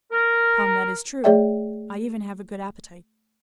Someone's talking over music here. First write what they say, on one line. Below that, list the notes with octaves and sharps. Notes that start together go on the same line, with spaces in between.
"Come, that is true; I even have a good appetite."
A#4
A3 G#4 C#5 D5 E5 G5